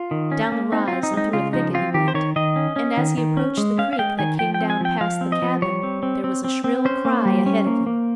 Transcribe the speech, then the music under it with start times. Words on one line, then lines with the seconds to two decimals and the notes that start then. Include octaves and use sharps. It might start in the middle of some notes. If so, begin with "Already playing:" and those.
Down the rise and through a thicket he went, and as he approached the creek that came down past the cabin there was a shrill cry ahead of him.
Already playing: F4
0.11 D#3
0.32 C#4
0.52 A#3
0.72 C4 D#4
0.88 C4 F4
1.03 D#4
1.13 G#3 D#4
1.33 C#3 F4
1.53 F3 D#4
1.74 C4 F4
1.94 D#3 G4
2.08 C5
2.14 D#3 C#5
2.36 D#3 D#5
2.56 C#4
2.76 C#4
2.97 D#3
3.17 D#3
3.37 C#4
3.57 G#3
3.78 C#4 F5
3.93 F5
3.99 G#3 G5
4.19 D#3 G#5
4.39 F3 G5
4.54 G5
4.60 C4
4.70 G#5
4.81 F3 G5
5.01 F3 F5
5.21 C4
5.32 D#5
5.42 F3
5.62 G3 C#5
5.83 C4
6.03 C4
6.24 C4
6.44 C4
6.64 C4
6.85 C#4 C5
7.05 A#3
7.25 G3
7.46 C#4
7.67 A#3
7.86 A#3